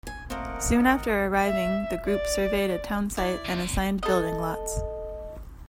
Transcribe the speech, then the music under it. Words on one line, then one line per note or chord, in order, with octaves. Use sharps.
Soon after arriving, the group surveyed a townsite and assigned building lots.
G#5
A3 A#3 C4 A#4 D#5 F#5
E5
D5
E4 D5
D2
A4 D#5